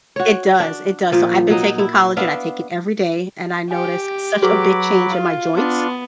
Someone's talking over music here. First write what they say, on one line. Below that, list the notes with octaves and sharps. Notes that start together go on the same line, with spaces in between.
it does, it does, so, I've been taking collagen. I take it every day, and I noticed such a big change in my joints,
F#4 C#5
D4
A#2 F3
F#3 D#4
E4
B3 D4 E5 F5
G4 G5 G#5
F#3 F#4 G#4 B4 B5 D6
F4
B3 D4 F4